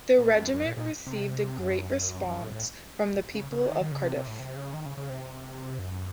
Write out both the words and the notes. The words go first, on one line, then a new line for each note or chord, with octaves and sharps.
The regiment received a great response from the people of Cardiff.
A#2
F#2
F#2
A#2
A#2
C3
F#2
F#2
A2
A2
C#3
C#3
D#3
D#3
C#3
C3
C3
A2
C3
C#3
D#3
C#3
C#3
C3
F#2